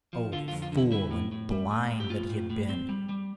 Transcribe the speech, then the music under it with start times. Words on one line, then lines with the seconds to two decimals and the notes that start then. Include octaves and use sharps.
Oh, fool and blind that he had been!
0.13 F3
0.32 D3 F4
0.48 F4
0.52 F2
0.62 F4
0.72 D3
0.77 E4
0.92 G3 E4
1.11 A2
1.32 A2
1.51 G3
1.71 A2
1.91 A2
2.00 G4
2.10 A2 F4
2.30 A2
2.50 A2
2.69 C4
2.89 G3
3.09 G3